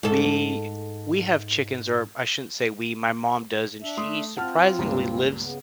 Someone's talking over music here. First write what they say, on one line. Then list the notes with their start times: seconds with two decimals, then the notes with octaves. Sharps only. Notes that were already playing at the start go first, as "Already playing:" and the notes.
We we have chickens, or I shouldn't say we, my mom does, and she surprisingly lives
0.03 G#2 A4
3.82 D4 E5
3.97 A3 C6 D#6
4.37 C4 F4 F#5 A5 F6
4.79 C#2 G2 A#2
5.41 C#3 B3